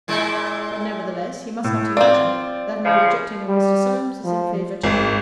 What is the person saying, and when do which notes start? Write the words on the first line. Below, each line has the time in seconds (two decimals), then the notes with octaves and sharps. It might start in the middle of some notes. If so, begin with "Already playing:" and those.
But, nevertheless, he must not imagine, that my rejecting of Mr. Solmes is in favour to him.
0.08 A#2 G#3 E4
1.64 A2
1.97 C4 F4 D5
2.84 C#3 F3
3.48 G3
4.24 F3
4.83 G#1